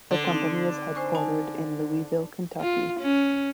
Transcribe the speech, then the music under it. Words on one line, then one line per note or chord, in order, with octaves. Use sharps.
The company is headquartered in Louisville, Kentucky.
D3
C4 D#4
C5 G#5 C#6
D#4 G#5 A5
F4
C#4